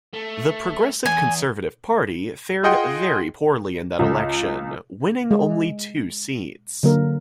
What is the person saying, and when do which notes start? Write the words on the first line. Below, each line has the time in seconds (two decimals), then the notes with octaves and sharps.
The Progressive Conservative Party fared very poorly in that election, winning only two seats.
0.14 A3
1.06 E2 G#5
2.63 F4 G#4 D#5 F#5 G5 C6
3.99 C#2
5.31 G#3
6.83 D3 F#3 A#3 A#4